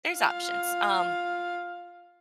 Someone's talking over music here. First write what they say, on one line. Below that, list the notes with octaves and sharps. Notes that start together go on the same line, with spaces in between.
there's options, um,
F4 F5